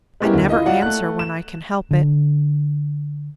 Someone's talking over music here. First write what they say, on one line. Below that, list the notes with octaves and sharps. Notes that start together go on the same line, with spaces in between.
I never answer when I can help it.
G#3 B3 C#4 E4 G4 A#4
D2
E4 F4 D#5
F#3 F4 D5 F#5
A3 F#6
E7
D3